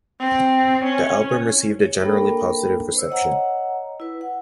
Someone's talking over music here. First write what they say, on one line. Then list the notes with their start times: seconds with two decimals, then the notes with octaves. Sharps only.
The album received a generally positive reception.
0.20 C4
0.84 C#4
1.82 C#5
2.02 A#3 D4 A4 A#4 G5 B5
2.94 C5 C#5 E6
3.09 C#5 D#5 F#5 A#5
4.00 E4 B4
4.21 F#5